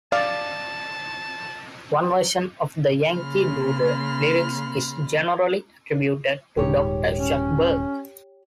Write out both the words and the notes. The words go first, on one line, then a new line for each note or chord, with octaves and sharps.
One version of the Yankee Doodle lyrics is generally attributed to Doctor Shuckburgh.
D5 F5 A5
C#3 A#3 B5 C6 F6
D#1 G#2 G4 C#5
C#4